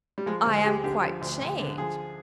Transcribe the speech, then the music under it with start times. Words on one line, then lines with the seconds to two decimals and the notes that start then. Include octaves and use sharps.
I am quite changed.
0.18 G3
0.26 F3 G#3
0.45 D2 G#3
0.58 G#4
0.64 D2 G4
0.83 D3 G4
1.02 F3
1.21 D2
1.41 D2
1.59 D3
1.78 F3 G#4